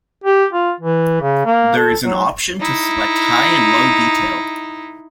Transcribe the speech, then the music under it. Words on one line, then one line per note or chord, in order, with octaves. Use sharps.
There is an option to select high and low detail.
G4
F4
E3
C#3
A#3
A4
F#3
D#4 E4